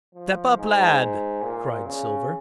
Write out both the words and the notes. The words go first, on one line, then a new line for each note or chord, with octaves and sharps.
"Step up, lad," cried Silver.
F3
G#2
A#2
C#3